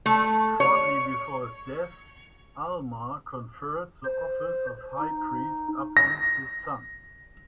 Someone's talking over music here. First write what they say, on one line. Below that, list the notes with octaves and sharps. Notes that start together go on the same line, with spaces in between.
Shortly before his death, Alma conferred the office of high priest upon his son.
A3
C#5
C5
D#4
A#6